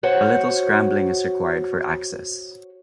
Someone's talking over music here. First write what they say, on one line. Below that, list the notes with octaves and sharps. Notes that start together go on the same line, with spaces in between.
A little scrambling is required for access.
F#4 C5 C#5 F#5